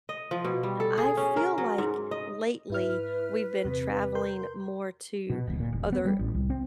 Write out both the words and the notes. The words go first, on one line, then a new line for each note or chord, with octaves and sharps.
I feel like lately we've been traveling more to other
D#5
F3
B2
G3
A4
G#4
C#4
A#4
F#3
G#2
D#5
G#2 E4 B4 F6
E2 C3
A#4 C6 G6
B2
D1
A#2
E1
B3
G3
A1
C2
C4